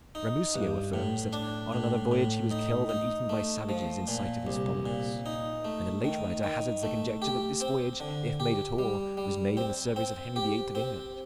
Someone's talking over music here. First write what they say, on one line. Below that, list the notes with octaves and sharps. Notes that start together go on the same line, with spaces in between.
Ramusio affirms, that, on another voyage, he was killed and eaten by savages, in sight of his followers; and a late writer hazards the conjecture that this voyage, if made at all, was made in the service of Henry the Eighth of England.
D#4
G2
A2
D4
A2
A2
D#4
D#4
A3
F3
A#2
C2
A#2
D#4
A3
D#3
D#3
A3
G4
C4
D3
G4
G3
G3
C4
C4
G4
C4